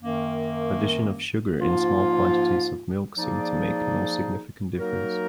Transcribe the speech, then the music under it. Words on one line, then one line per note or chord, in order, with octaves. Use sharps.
Addition of sugar and small quantities of milk seem to make no significant difference.
F#2 D#3 A#3
G#2 F3 A#3 F4
F3 A#3 D#4 G#4 D5
F#3 A#3 D#4 F#4 A#4